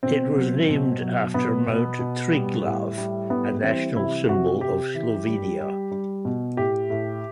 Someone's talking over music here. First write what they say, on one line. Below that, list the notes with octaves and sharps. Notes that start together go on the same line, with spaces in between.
It was named after Mount Triglav, a national symbol of Slovenia.
B2 C4
F#3
B2
F#3
B2 B3
B2
B2
G3
A2
G3
G3 B3
E3 C4
C3 E4
C3 F#4
C3 G4
E3
G3
G3
G3
B2
A2 G4
A2